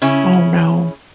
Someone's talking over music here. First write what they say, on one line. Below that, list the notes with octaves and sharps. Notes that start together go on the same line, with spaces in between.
Oh, no.
C#3 C#4 E4